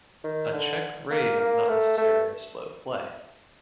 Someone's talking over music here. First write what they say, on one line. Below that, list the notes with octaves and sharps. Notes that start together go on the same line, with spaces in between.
A check-raise is not necessarily a slow play.
D#3
D3
A#3
A#3
A3
A3